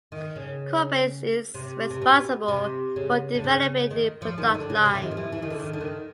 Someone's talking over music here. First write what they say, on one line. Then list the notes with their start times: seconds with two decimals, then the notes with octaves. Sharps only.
Corbett is responsible for developing new product lines.
0.12 D#3
0.36 C#3
1.54 C3
1.91 C3
2.02 B2
2.48 C3
2.96 C#3
3.35 D3
3.44 C#3
3.91 D#3
4.22 F3
4.38 D#3
4.54 D3
4.70 C#3
4.86 C3
4.95 E3
5.02 D#3
5.11 F3
5.17 E3
5.32 E3
5.42 D#3
5.50 D3
5.59 D#3
5.73 D3
5.81 D#3